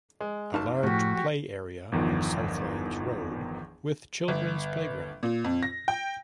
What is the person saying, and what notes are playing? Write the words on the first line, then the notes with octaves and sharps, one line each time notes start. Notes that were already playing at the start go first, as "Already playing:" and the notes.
A large play area on Southlands Road with children's playground.
G#3
F#1 D#4 A5
A2 F3 A3 F#4 G4
G1 E2 D#3 F3
G1
A#2
F2
A#6
G5